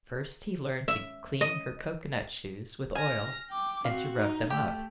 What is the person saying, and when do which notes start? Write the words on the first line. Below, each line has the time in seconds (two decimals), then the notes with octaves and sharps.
First he learned to clean her cocoa-nut shoes with oil and to rub them up.
0.88 E5
1.41 D#5
2.95 G#5 F6 A#6
3.50 G5 D6
3.85 C4 F#4 F5
4.17 D#4
4.50 A3 G4